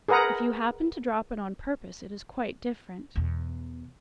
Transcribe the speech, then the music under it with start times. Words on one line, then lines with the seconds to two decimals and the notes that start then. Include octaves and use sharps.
If you happen to drop it on purpose, it is quite different.
0.08 G#4 A#4 B4 F#5 A#5
3.16 E2 B2